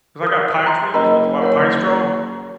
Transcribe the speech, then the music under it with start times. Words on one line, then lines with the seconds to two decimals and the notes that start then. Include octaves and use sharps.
'cause I got pine trees with a lot of pine straw
0.23 A#4 D#6
0.66 G5 A#5 C6
0.94 F#1 A#4 D#5 A#5 B5
1.42 A#4 C#5 F#5